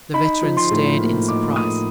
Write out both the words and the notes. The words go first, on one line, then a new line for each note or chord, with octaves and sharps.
The veteran stared in surprise.
D#4 B5
F3
C6
A2
A#3
D#4 D6
A#3 D#6